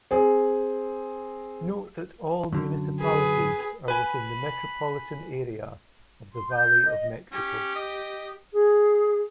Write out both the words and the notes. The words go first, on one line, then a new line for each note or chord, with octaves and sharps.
Note that "all" municipalities are within the Metropolitan Area of the Valley of Mexico.
C4 G#4
F#2 D3
G#4 B4
B4 G#5 B5
C6
G6
D#5
C#4 G4
D#5
G#4